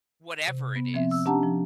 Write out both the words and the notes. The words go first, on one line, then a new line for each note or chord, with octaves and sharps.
whatever it is.
C3
B3
F3 C4 E5
E6
C#4 D4 G4 F#5 A5 A#5
F3